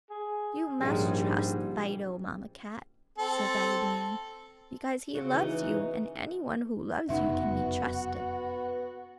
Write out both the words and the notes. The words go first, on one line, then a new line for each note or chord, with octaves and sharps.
"You must trust Fido, Mamma Cat!" said Raggedy Ann, "because he loves you and anyone who loves you can be trusted!"
G#4
A#1 G#2 C#3 F3 G3 G#3
C4 A4
C#3 F#4
E3 C#4 D#4
F1 F#2 C#3 B3 D#4 F#4 E5